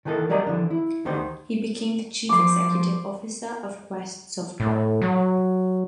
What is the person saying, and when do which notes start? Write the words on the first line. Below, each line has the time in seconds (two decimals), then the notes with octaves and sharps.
He became the Chief Executive Officer of Quest Software.
0.05 D#3 E3 D#4 A4 A#4
0.29 F#3 G3 A#4 D5 D#5 A#5
0.47 D3 E3 F3
0.70 E4
1.05 D2 D#3 D#4 G4 C5
2.29 F3 C6 D6
4.60 A2
5.02 F#3